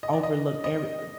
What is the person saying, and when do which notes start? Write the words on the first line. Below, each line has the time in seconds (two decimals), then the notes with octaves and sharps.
overlooked every, uh
0.03 D#5
0.13 D5
0.23 D#5
0.64 D#5